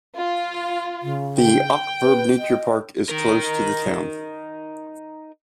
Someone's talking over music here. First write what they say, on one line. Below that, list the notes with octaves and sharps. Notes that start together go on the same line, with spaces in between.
The Aukrug Nature Park is close to the town.
F4
C#3
G5
B4
D#5
D#4 A#4